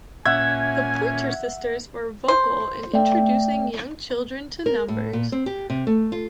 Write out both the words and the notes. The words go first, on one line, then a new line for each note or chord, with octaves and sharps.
The Pointer Sisters were vocal in introducing young children to numbers.
A#2 C#4 E5 F#5 G#5 G#6
C5
A3 D5 E5 G5
A#4
A2
A#2
C4
G4
C3
A3
F4